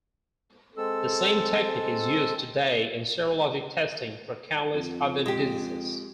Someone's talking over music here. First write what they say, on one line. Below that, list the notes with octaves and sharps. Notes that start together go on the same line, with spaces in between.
The same technique is used today in serologic testing for countless other diseases.
G#3 C4 A4 E6
F2
G#3 G4